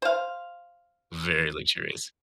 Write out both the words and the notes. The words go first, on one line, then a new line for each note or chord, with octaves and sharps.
Very luxurious.
C5 F5